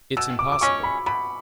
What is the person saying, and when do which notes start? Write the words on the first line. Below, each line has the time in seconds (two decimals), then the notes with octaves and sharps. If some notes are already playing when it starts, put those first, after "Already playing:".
"It's impossible!"
0.17 B2 E6
0.39 D6
0.52 D6
0.61 G#3 C#4 C#6
0.83 B5
1.06 B2 B5